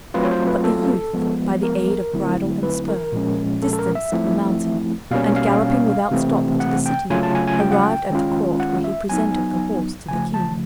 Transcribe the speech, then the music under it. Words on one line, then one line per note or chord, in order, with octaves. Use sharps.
But the youth, by the aid of bridle and spur, distanced the mountain, and galloping without stop to the city, arrived at the Court, where he presented the horse to the King.
F#3 A3 C4 F4 B4
C#5
C5
B4
A4
F3 G#3 B3
A#4
D3 F#3 A3 C4 E4
B4
A#4
A#2 F3 G#3 C#4
A4
A4
A#4
E5
F3 A3 C4 E4
B2 G3 A#3 C#4 F5
F5
C3 E3 A3 C4
F#5
G5
C#3 F#3 A3 C#4 F4 G#5
A5
G#5
G#5
G5
F#5
G5
D#3 G#3 C#4 F4
F#5
E5
F#3 B3 D#4 G#5
C#3 F3 A3 G#5
A5